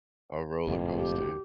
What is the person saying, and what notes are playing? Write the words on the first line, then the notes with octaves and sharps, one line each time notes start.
a roller coaster.
F#1 F2 A2
G4